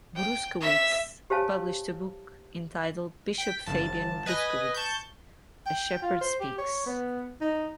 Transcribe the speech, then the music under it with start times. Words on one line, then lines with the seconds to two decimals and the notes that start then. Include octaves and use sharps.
Bruskewitz published a book entitled "Bishop Fabian Bruskewitz: A Shepherd Speaks".
0.16 G5
0.61 E5 B6
1.30 G4 C5 C#5 F5 G#5 A5
3.38 G5 B6
3.66 G1 A5
4.26 B4 D#5 G#5 A#6
4.74 A5 C#6 G6
5.67 G5
6.02 F4
6.21 C5
6.41 G4
6.58 C#5
6.86 B3
7.41 D#4